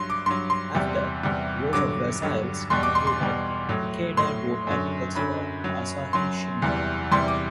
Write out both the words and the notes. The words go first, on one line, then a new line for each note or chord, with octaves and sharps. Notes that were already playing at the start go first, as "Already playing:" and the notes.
After "Rose of Versailles" concluded, Ikeda wrote articles for Asahi Shimbun.
Already playing: G2 F#3 C6
D6
G2 F#3 C6
C6
E2 C3 G3
E2 C3 G3
G2 D3 F#3 D6
G2 D3 F#3
E2 B2 G3 C6
D6
C6
C6
E2 B2 G3
A2 F#3
A2 F#3 C6
F#2 D3 F#3
F#2 D3 F#3 B5
F#2 F#3
F#2 F#3 C6
E2 C3 E3 G3
E2 C3 E3 G3 C6
D6